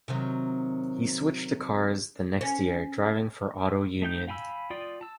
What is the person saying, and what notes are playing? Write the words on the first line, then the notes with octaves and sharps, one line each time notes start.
He switched to cars the next year, driving for Auto Union.
C3 D#3 F#3
C#4
A3 D#4 G5 G6
F5 G5 G#5 B5 E6
F4 D5 G5 D#6
A5 E6